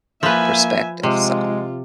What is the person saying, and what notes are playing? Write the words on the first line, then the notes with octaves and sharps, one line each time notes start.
perspective, so
F3 A#3 B4 E5 G#5
C3 G#3 F4